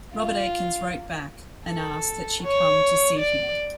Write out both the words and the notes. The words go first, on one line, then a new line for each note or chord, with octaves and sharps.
Robert Atkins wrote back and asked that she come to see him.
F4
A4
C#5
D5